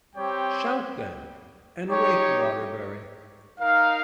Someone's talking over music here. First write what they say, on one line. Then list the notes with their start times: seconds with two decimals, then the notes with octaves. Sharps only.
Shout, then, and wake Waterbury.
0.15 G3 C4 G4 C#5 G5
1.88 D#4 G4 C#5
3.60 D#4 A#4 F5